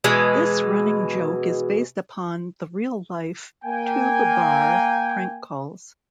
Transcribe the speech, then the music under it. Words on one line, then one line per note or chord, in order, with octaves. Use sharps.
This running joke is based upon the real life Tube Bar prank calls.
B2 E3 G#3
A#3 G5 G#5